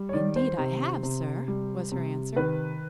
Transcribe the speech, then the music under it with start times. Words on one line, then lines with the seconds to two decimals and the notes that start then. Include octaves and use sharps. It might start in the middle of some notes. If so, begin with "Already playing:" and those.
"Indeed I have, sir," was her answer.
Already playing: G3
0.09 C#5
0.13 D#3 D5
0.36 C5
0.58 C3
1.03 C3
1.48 G3
1.92 C3
2.36 D#3 B4